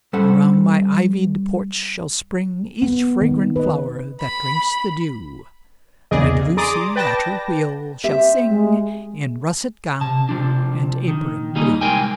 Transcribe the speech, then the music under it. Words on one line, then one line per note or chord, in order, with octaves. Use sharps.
Around my ivied porch shall spring Each fragrant flower that drinks the dew; And Lucy, at her wheel, shall sing In russet-gown and apron blue.
G3 C#4 A4 C5 F#5
B3
D#3
B4 D#5
B5
A#1 E2 C#3 G#4 D5 D#5
G#4 D5 A#5 C6 D6 D#6
B4 D5 G5 A5 A#6
C4 G4 E5
G#3
C3 A5
C3 F3 D4
D#3
G3 A#3 D#4 G#4 D#5
C2 F#3 G#3 A#4 G5 G#5